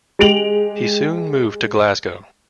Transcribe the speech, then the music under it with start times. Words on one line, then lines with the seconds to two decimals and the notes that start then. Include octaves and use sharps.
He soon moved to Glasgow.
0.19 G#3 G4 D7 F7 F#7